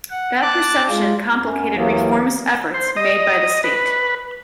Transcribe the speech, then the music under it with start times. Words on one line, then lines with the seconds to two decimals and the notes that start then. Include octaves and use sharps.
That perception complicated reformist efforts made by the state.
0.11 F#5
0.41 A5 D6 F#6
0.89 G#3 F4
1.38 F#2
1.77 D#2 E3 F#3 A#3
2.74 C5
2.97 D#5
3.64 B4